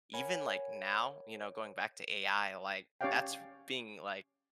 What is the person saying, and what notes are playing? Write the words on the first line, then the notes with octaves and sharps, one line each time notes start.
even, like, now, you know, going back to AI, like, that's being, like,
A#4 B4 C#5 F#5 G#5 B5
C#4 G4 C#5 D5 F5 G5